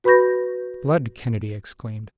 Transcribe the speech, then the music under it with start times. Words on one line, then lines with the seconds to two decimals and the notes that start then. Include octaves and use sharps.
"Blood!" Kennedy exclaimed.
0.04 F#4 B4 B5 C#6 G6 A#6